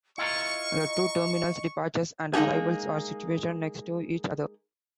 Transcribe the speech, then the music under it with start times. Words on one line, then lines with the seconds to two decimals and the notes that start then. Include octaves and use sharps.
The two terminals, departures and arrivals, are situated next to each other.
0.18 E4 F4 A#4 D#5 C#6
2.34 G#3 A#3 D#4 G4 G#4